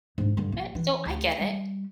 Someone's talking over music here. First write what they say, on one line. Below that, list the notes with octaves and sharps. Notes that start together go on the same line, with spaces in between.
eh, so I get it,
G#2 D4
G2 D3
A#1
E3
D2
G3